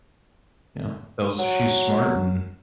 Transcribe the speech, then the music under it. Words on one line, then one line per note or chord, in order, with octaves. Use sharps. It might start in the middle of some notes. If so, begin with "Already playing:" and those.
Yeah, that was she's smart and
F#3